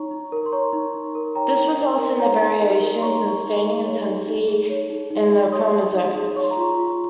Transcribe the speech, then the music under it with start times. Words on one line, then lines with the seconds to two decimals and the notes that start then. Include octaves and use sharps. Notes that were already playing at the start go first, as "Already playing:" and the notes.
This results in the variations in staining intensity in the chromosomes.
Already playing: D#4 C#5 A#5 C#6
0.11 D#4
0.32 A#4
0.46 C6
0.52 C#5 A#5 C#6
0.73 D#4
0.94 D#4
1.15 A#4
1.35 C#5 G5 A#5
1.57 D#4
1.78 D#4
1.98 A#4
2.19 C#5 G5 A#5
2.40 D#4
2.61 D#4
2.81 A#4
2.99 C6
3.02 C#5 A#5 C#6
3.23 D#4
3.45 D#4
3.65 G#4
3.86 C#5
4.07 D#4
4.27 D#4
4.48 G#4
4.70 C#5
4.90 D#4
5.11 D#4
5.31 G#4
5.52 C#5 C6 D#6
5.74 D#4
5.94 D#4
6.15 G#4
6.36 C#5 C#6
6.44 C6
6.50 A#5 C#6
6.57 F4
6.78 F4